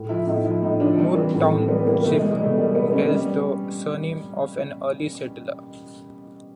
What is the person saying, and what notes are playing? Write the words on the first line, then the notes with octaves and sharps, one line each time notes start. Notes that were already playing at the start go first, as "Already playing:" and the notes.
Moore Township bears the surname of an early settler.
Already playing: A2
F3 E4
A2 D#4
F3 E4
A2 D#4
F3 D4
G3 C4
E3
A2
A2 C4
G3 B3
E3 A#3
B2 A3
G#3
G3
G#3
B2 A3
G3 A#3
B2 B3
C4
G3 C#4
G3